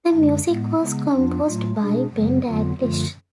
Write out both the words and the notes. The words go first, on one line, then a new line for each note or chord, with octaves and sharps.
The music was composed by Ben Daglish.
F#2 D3 G#3 D4
A2 G#3 B3
C#3 G#3 B3
F2 F3 B3 D4 F4
A2 F#3 A3 F4
B2 G#3 D4 G#4
F#2 C#3 F#3 B3
F2 D3 F#3 B3 F4
F#2 D3 F3 A3 F4